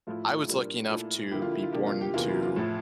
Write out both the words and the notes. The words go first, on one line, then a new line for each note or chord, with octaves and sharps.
I was lucky enough to be born to
A2 F3 A3 E4 F4
A#2 G3 A#3 D4
A#2 A3 E4
D3 F3 A#3 E4 G4
F4
E4
F4
C3 F3 A#3 D4 G4
F4
G4
E2 C3 E3 A#3 F4
E4
F4
A2 F3 A3 E4